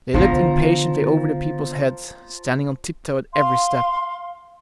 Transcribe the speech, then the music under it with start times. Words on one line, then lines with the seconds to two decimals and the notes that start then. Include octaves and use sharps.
They looked impatiently over the people's heads, standing on tip-toe at every step.
0.14 D3 F3 B3 A#5
3.32 F5 C6